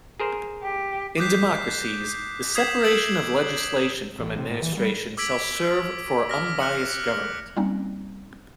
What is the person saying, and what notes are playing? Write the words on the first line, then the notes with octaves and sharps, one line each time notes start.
In democracies, the separation of legislation from administration shall serve for unbiased government.
G#4 A#4 C5
G4
D6 D#6 F#6 G6 B6 C7
D#6 G#6 B6 C7 E7 F#7
D#6 E6 G6 D7 E7 F#7
A1
C3
A2
E3
G3
D6 E6 G#6 B6 D7 F#7
D6 F6 A#6
F6 F#6 C#7 F#7
G3 A#3 C4 C#4 D#4